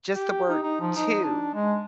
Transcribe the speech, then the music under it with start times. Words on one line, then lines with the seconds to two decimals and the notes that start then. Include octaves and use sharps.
just the word, "to,"
0.15 G4
0.49 D#4
0.63 D#4
0.81 F3
0.97 D#4
1.23 D4
1.54 G#3